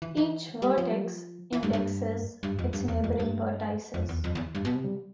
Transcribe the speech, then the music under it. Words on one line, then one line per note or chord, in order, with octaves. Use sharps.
Each vertex indexes its neighboring vertices.
E3
E3
G3
F3
G3
F3
E3
G2
G2
G2
F2
G2
E2
F2
G2
F2
E2
F2
E2
G2
B2
C3
G3